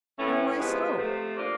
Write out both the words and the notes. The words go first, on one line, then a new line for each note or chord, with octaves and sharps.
"And why so?"
A2 E3 A3 C#4
C3 F3 G#3 B3
C3 F3 A3
F3 A#3 D4 F4